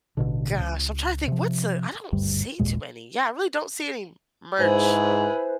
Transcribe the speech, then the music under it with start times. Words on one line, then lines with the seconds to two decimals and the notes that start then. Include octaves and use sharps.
Gosh, I'm trying to think, what's the I don't see too many Yeah, I really don't see any merch
0.17 A1 B2 D3
0.60 C#2
1.28 C3 F3
2.12 G#1 D2 G2 G3
2.59 G#1 D#2 A#2 G#3
4.60 G#2 E4 G#4 B4 C5